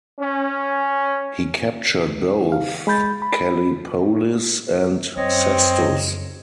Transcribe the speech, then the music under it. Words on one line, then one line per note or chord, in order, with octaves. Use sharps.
He captured both Callipolis and Sestus.
C#4
F5
G#3 B5 G6 A6
B5
F#2 C4 C#5 D#5